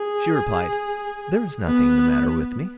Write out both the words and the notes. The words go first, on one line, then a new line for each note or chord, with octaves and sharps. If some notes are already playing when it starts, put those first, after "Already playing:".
She replied: "There is nothing the matter with me."
Already playing: G#4
B3